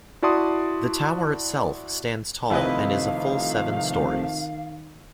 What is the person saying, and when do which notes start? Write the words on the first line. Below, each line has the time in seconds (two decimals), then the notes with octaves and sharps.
The tower itself stands tall and is a full seven stories.
0.22 E4 F#4 D5 A5 C6 D#6
2.50 C3 D#3 F3 A3 E4 B4 D#5 F5